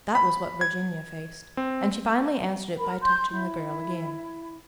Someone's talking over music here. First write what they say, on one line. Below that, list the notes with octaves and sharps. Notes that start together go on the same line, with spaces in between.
That was what Virginia faced, and she finally answered it by touching the girl again.
B5
G#6
C4
A#4 B5
C6 G6
E4